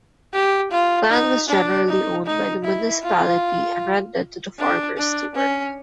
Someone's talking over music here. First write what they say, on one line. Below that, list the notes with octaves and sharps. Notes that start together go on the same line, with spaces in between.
Land was generally owned by the municipality and rented to the farmers to work.
G4
F4
D#4
D4
D#4
D#4
E4
F4
D4
D4
C#4